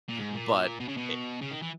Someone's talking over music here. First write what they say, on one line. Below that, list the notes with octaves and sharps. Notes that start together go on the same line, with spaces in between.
but i
A#2
G#2
A#2
B2
C#3
B2
C#3
D#3
E3